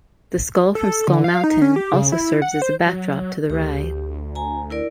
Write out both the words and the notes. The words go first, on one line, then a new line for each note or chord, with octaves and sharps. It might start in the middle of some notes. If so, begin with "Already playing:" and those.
The skull from Skull Mountain also serves as a backdrop to the ride.
A4
D3
F5
D#4
C#4
G4
C#3
E4
F#5
C5
F#3
D2 G4
G#5 A#5
E4 A#4 D5